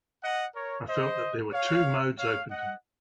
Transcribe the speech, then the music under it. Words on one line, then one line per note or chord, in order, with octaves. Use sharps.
I felt that there were two modes open to me.
D#5 F#5
A#4 C#5
C5 D#5
C#5 F5
C#5 F5
D#5 F#5